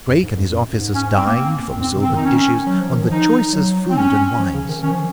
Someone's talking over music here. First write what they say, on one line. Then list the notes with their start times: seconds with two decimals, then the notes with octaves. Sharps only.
Drake and his officers dined from silver dishes on the choicest food and wines.
0.08 F#2
0.23 G#2
0.37 F2
0.52 F#2
0.73 G#2
0.95 C#4
1.16 C4
1.25 A#3
1.35 C4
1.77 F#2
1.80 G#2 C4
1.96 C3
2.02 C4
2.09 D#3
2.16 D#4
2.24 C#4
2.66 F#3
2.80 F3
2.92 D#3
3.04 F3
3.10 D#4
3.53 F#3
3.90 C4
3.97 C#4
4.39 F3
4.54 C#3
4.69 D#3
4.82 D#3 C#4
4.91 F3